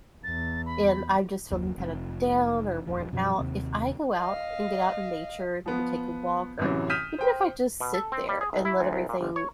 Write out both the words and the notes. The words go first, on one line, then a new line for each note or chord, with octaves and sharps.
and I'm just feeling kind of down or worn out, if I go out, and get out in nature and maybe take a walk, or even if I just sit there, and let everything
E2 A6
B5
F#1 D#2 F#3
F1
D#1 F2 F3
F#2 B2 F3 F#3
D#2 C3 C4
D#5 F5
F3 B3
A1 F#2 C3 E3 F#3
D#6 F6 G6 B6 D#7 E7
C5 G5
B2
A4
C4
G3
G#4
B1
E4
D2
C2
A#2
G1
C#5